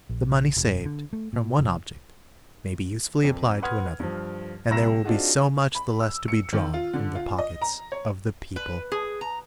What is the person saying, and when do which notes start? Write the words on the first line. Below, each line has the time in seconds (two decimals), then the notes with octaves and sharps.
The money saved from one object may be usefully applied to another, and there will be so much the less to be drawn from the pockets of the people.
0.09 A#1
0.56 E1
0.85 D3
1.13 A3
1.33 A#2
1.59 F1
3.23 F2
3.62 B4 F#5 C6 D#6 F6 G#6
4.00 G2 F3
4.71 C2 A#5 B5 E6 A#6 E7
5.04 C4 D4 D#4 F4 F#4 G#4
5.75 B5
6.00 E6
6.28 C#7
6.53 D#3
6.74 F4
6.94 D3
7.15 F4
7.38 D#5
7.62 A#5
7.92 C#5
8.56 B4
8.92 G#4
9.21 A#5